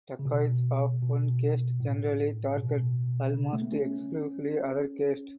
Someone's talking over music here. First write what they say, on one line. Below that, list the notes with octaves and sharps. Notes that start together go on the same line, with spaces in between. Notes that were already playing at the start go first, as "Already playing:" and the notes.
Dacoits of one caste generally target almost exclusively other castes.
C#3
B2
B2
A2
B2
C#3
A3
B3
C#4